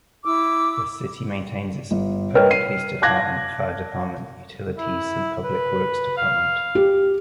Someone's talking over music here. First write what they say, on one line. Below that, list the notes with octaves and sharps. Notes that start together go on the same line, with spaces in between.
The city maintains its own Police Department, Fire Department, Utilities and Public Works Department.
E4 D6 E6
G1
A#4 B4 C#5 D#5 G5 F6
C7 D#7
F5 A5 D6 F#6 G#6 A#6
E4
B4
F5
G4